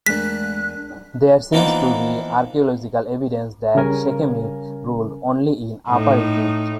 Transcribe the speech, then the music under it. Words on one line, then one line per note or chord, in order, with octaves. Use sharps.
There seems to be archaeological evidence that Sekhemib ruled only in Upper Egypt.
E2 G#3 A3 D4 A#4 F#6 B6
E3 F3 A#3 B3 D4 D#4
C#3 G3 C#4 A#4 G#5
A2 D#4